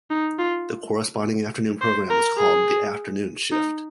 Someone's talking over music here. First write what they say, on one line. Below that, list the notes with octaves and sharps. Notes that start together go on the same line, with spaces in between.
The corresponding afternoon program was called "The Afternoon Shift".
D#4
F4
C5
A#4
G#4
D#4